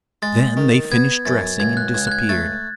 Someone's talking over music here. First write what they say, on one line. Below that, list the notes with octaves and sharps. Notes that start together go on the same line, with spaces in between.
Then they finished dressing and disappeared.
G#3 A6
D#3
B3 G#6
F#2 A6
C#2 G#6
F#6
C#2 G#6
F#6
G#6
A3 A6